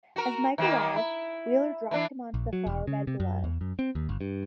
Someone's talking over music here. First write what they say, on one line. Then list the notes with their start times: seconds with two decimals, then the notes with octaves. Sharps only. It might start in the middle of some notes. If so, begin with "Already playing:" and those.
As Mike arrived, Wheeler dropped him onto the flowerbed below.
0.16 F#4 A#4
0.58 D#3 A#3 B3
0.96 E4
1.91 E3 D4 E4
2.34 A#1
2.53 F#3
2.67 E1
2.87 C#3
3.07 C3
3.20 F#2
3.44 E2
3.61 F#2
3.79 C4
3.95 D#2
4.09 G1
4.21 G2